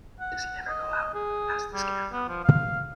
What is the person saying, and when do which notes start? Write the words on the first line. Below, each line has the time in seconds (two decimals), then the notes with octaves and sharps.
"Does he never go out?" asked the Scarecrow.
0.20 F#5
0.68 D#5
1.15 G#4
1.74 G3
2.13 B3
2.28 F3
2.45 F5